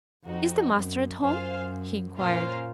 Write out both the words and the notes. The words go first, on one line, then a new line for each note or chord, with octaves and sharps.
"Is the master at home?" he inquired.
F2 C4 D#4 F#4
F#2
F#2 F4 C5 F5 G#5
A#2 A#3 C#4 F4 C5 F5